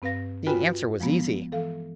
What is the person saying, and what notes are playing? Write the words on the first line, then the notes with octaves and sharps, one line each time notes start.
The answer was easy.
G2 C4 B4 F5 A#6
F4 F#4 B4 G5 G#5 B5
F3 G#3 A#3 B3
E3 A4 F5